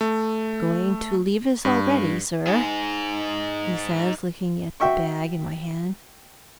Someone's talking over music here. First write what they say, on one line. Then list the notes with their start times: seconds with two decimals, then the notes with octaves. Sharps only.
"Going to leave us already, sir?" he says, looking at the bag in my hand.
0.01 A3
1.65 G2
2.47 D#4 G#4
4.80 F#4 E5 G5 C#6